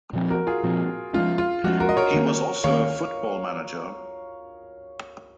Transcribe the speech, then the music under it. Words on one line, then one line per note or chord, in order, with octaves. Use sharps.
He was also a football manager.
A#2 F3 C4
F#4 A#4
F4 G#4
A#2 F3 C4
F3 G#3 C#4 F4
F4
F3 G#3 C#4 F#4
F#4 A#4
D#5
A#4 C#5
D#3 A#3 C#4
D#3 A#3 C#4 C#5 F5